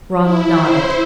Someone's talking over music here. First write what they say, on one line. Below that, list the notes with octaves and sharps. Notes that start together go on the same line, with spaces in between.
Ronald nodded.
E4
C5